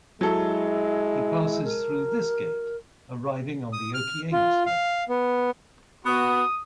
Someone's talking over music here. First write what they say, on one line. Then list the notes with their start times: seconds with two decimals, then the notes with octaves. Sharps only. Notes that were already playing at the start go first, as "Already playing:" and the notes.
He passes through this gate, arriving on the Okeanos level.
0.21 F#3 G#3 E4 A4
1.64 A#4
3.73 D#6
3.94 F6
4.32 F4
4.66 F5
5.09 B3
6.06 B3 F#4 D#6